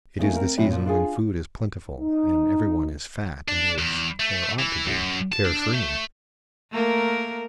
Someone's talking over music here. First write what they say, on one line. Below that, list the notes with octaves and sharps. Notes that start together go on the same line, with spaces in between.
It is the season when food is plentiful, and every one is fat and is, or ought to be, care free.
D#3 F3 G3 A3 A#3 C#4
C4 A#4
F#2 A2 C3 F#3 E4
A#2 F3
D4 F4 G#4
D#4
D4
E2
A3
E3
F#2
A5
D4
A3
A3 A#3 A#4